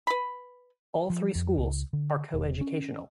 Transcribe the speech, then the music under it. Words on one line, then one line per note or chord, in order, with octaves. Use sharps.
All three schools are coeducational.
B4 B5
F3
F2
C#2
D3
E1
C#4